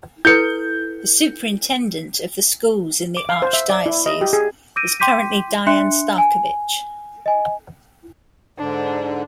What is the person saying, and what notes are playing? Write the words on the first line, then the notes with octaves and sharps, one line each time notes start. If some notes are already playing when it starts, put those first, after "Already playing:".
The superintendent of the schools in the Archdiocese is currently Diane Starkovich.
E4 A4 B4 G6 C#7
D6
F5
C5
E5
D5
E4
D#5
G4
G#4
D6 E6 G6 A#6 D7 D#7
G5 C6 D6 G6 B6 D#7
D4 E5 C6 F#6 C#7
G#5
D#5 G#5
G#2 D3 D4